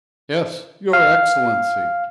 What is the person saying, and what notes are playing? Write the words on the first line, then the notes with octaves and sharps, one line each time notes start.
"Yes, your Excellency."
F5